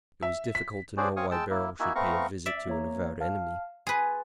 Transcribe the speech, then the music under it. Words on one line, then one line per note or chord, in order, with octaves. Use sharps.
It was difficult to know why Beryl should pay a visit to an avowed enemy.
E5
B6
C#4 D4 F#4 G#4 C5 D5
C4 F5 G#5 C#6 D#6
G#3 G5 A5 E6
A#3 E4
A#3 D#4 E4 F#4 E5 G#5
A3 B3 C4 F5 A#5 C#6
D5 E5
A#3 C#5 A#5
F5 A5 F6
G#4 B4 C6 A6